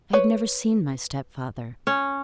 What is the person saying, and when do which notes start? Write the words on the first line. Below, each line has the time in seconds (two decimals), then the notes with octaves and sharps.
I had never seen my stepfather.
0.13 B4 C#5
1.87 C#4